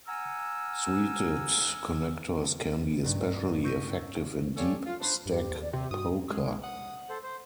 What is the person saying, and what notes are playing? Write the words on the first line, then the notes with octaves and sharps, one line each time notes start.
Suited connectors can be especially effective in deep stack poker.
F#5 G#5 A#5 E6 F6
B1 G2
C#6 E6 G6 A#6 B6 D#7
C#4 F4 G4 A4 C#5 D5
F4
D4 B4 C5
G2 G4
D#2
D5
C3 G4
G2 F#4 D#6
G#3
F#5 D#6
A4 C5
C5